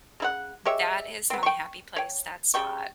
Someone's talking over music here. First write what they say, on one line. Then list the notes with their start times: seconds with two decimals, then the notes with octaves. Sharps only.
that is my happy place, that spot.
0.20 C#3 E4 F#5
0.65 G#3 G4 C#5 E5
1.30 B3 C4
1.43 G5 C#6
1.96 C#5 G5
2.54 C#3 G3 G5 C#6